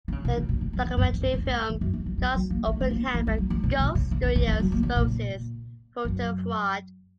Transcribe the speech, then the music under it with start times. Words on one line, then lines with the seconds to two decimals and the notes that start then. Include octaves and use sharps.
The documentary film "God's Open Hand" by Ghost Studios exposes voter fraud.
0.08 D#3
0.12 C#3
0.25 B2
0.37 C#3
0.49 A#2
0.61 G#2
0.73 F#2
0.85 E2
0.97 F#2
1.09 E2
1.22 G#2
1.34 G#2
1.46 G#2
1.70 E2
1.81 F#2
1.94 D#3
2.06 F#3
2.18 F#3
2.34 F#3
2.50 A#3
2.67 B3
2.81 G#3
2.91 A#3
3.14 A#3
3.27 G#3
3.38 F#3
3.50 D#3
3.63 B2
3.80 B2
3.95 C#3
4.11 C#3
4.23 D#3
4.36 C#3
4.48 E3
4.60 F#3
4.72 A#3
4.83 C#3
4.96 A#2
6.05 F#2